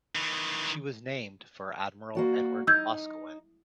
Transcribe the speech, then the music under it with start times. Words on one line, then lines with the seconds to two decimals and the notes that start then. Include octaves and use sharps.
She was named for Admiral Edward Boscawen.
0.15 D#3 E3
2.15 A#3 F#4 D5
2.67 D#4 E6 G6 G#6